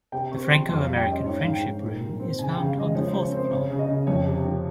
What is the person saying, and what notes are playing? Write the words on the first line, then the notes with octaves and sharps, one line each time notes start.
The Franco-American friendship room is found on the fourth floor.
C3 G5
C4 C#6
F3 C6
F2 C6
F5
G3
G5
C#4
D#5
G#2 C#5
G#2 F5
G5
G#2
A#2
A#2
C4
C#3 G#5
G5
C#3
F5
G#3 D#5
F3 C#5
C5
C#3
C#5
C4 C5
C#3 C#5
C#3
D#5
C#3
F2 C#5
C3
F3